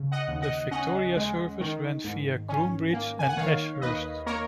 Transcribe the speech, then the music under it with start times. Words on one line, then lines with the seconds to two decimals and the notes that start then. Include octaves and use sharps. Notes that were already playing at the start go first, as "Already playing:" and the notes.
The Victoria services ran via Groombridge and Ashurst.
Already playing: C#3
0.12 D#5 F#5
0.28 D#2
0.42 D#5 F#5
0.71 C#4 D#5 F#5
1.16 G#3
1.60 D#3
2.04 G#2
2.49 C#4
2.93 A#3
3.19 G#5
3.29 F#5
3.37 D#3 C#5 F5
3.82 D#2 B4 D#5
4.26 A#3 A#4 C#5